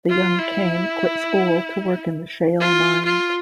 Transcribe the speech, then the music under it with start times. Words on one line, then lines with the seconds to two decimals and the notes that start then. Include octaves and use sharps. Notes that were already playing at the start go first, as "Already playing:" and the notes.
The young Kane quit school to work in the shale mines.
0.10 F4
0.39 E4
2.60 F4
3.05 F4